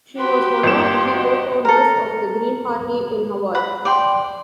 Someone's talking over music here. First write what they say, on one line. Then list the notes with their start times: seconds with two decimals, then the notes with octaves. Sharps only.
She was one of the co-founders of the Green Party in Hawaii.
0.19 F#4 G4 B4 C6
0.63 G1 A#3 E7
1.12 F#4 D#5
1.65 A4 A#4
3.55 F#5 B5
3.85 D5 G5 C6